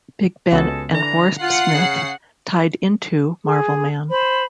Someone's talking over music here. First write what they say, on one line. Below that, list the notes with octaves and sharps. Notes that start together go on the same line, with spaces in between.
"Big Ben" and "Warpsmith" tied into "Marvelman".
C#2 G#3 B3 F#4 A4
D3 E3 D4 A#5
F4 F#5 C7
C#3
G#4
C5 B5